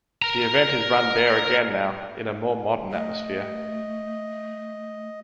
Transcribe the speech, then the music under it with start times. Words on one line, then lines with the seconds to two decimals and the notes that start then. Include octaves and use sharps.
The event is run there again now, in a more modern atmosphere.
0.22 A#4 A#5
2.92 A3 D#5